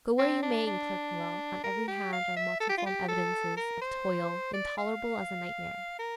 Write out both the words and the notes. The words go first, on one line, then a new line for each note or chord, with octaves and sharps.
Go where you may in Clerkenwell, on every hand are multiform evidences of toil, intolerable as a nightmare.
C4
D4
D4
A#4
G4
F5
E5
A4
G4
F4
G4
A4
A#4
C5
D5
F5
A#4